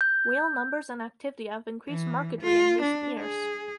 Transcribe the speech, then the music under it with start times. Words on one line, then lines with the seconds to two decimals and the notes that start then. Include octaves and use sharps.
Whale numbers and activity have increased markedly in recent years.
0.01 G6
1.88 E3
2.41 F4
2.82 D4
3.19 G#4